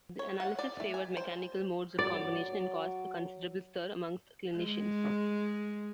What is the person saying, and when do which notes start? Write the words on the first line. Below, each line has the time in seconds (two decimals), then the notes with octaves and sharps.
The analysis favored mechanical modes of combination and caused a considerable stir amongst clinicians.
0.19 C#5
0.40 F#5
0.59 D5
0.80 A3
0.94 G#5
1.17 C5
1.99 F#3 D5
4.57 G#3